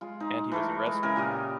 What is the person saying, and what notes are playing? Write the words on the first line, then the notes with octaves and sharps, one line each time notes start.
And he was arrested.
G#3 F4
D#4
E3 A3 A#4
G#3
C#3 E4 A#4 G#5
A#2 G4 D#5 F5